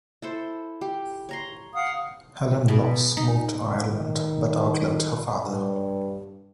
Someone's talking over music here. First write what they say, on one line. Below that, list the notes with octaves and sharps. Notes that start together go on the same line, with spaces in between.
Helen Laws moved to Ireland but outlived her father.
E4 A4 C5
G4
C#5 A#5 C6
F5 F#5 D#6
B2
D#4
D#3
G2